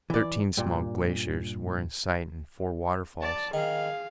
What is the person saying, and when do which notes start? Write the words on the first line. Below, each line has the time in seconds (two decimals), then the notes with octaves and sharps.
Thirteen small glaciers were in sight and four waterfalls.
0.10 E3 D5
0.57 G2 A#2
3.22 D5 A5
3.53 D#3 G#4 F5